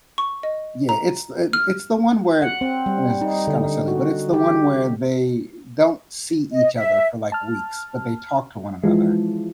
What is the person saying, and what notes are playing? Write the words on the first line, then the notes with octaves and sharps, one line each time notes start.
Yeah, it's eh, it's the one where I guess it's kinda silly, but it's the one where they don't see each other for like weeks, but they talk to one another,
C#6
D#5
A#5
F6
F#5
C4
G3
D#4
D3
F#4
G4
D#5
E5
A5 F6
E3 F3 G#3